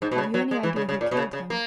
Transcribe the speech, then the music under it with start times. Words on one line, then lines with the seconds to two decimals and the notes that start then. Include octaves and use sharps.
"Have you any idea who killed him?"
0.02 G#2
0.11 B2
0.18 C#3
0.34 F#3
0.51 G#3
0.63 E3
0.76 C#3
0.89 C#3
1.01 A#2
1.11 B2
1.17 C#3
1.33 C#3
1.50 A#3